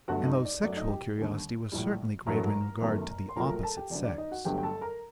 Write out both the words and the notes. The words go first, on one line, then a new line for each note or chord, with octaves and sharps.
M.O.'s sexual curiosity was certainly greater in regard to the opposite sex.
G1 G2 F#3 A3 F#4 F#5
D#4 D#5
D5
F#2 F#3 A3 D5
D#4 D#5
G4 G5
D#2 D3 G3
A#1 A2 G3
A1 G2 F#3 A3 A#4 A#5
G1 F#2 D#3 A3
C6
A#1 A#2 F#3 A3 A#4 A#5
A#4 A#5
A4 A5
G4 G5
F#1 F#2 D3 D5
D5
D#4 D#5
F#4 F#5
G1 G2 D3 F#3 A3 G4 G5
G5
A4 A5
A#4 A#5